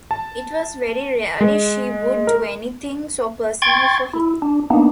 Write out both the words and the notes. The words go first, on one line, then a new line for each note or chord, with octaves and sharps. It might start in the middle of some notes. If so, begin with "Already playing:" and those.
It was very rarely she would do anything so personal for him.
A5
G#3
A#4
G5 C6 C#6 G#6 A6
E4
D4
A#3 B3 D4 D#4